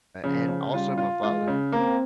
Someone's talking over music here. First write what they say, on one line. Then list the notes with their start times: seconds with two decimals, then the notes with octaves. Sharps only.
and also my father,
0.23 C#3 F3
0.48 C#3
0.73 G3 F4
0.98 F4
1.22 G#3 F4
1.48 C#3
1.72 A#3 C4